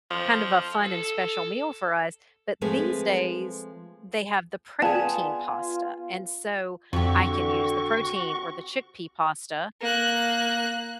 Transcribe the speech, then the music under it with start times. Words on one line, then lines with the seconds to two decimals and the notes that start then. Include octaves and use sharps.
kind of a fun and special meal for us, but these days, they have the protein pasta, and so I can use the protein or the chickpea pasta,
0.11 F3
0.83 A4
2.61 F3 G#3 A3 C4 G#4 B4
4.82 B3 F4 G#4 D5 F5 G5 A5
6.93 F2 D3 C4 F#4 G4 C#6
9.81 A#3 F#6